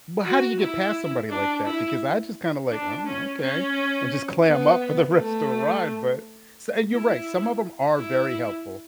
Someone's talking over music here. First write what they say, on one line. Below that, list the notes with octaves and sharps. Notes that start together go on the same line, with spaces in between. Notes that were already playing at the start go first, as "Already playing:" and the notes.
But how do you get past somebody like that, because I just kinda like, "Oh, okay," and just clam up for the rest of the ride, but so and you're right, some of them are very helpful,
F#4
E4
D4
E4
D4
C#4
C#4
B3
A3
E4
E4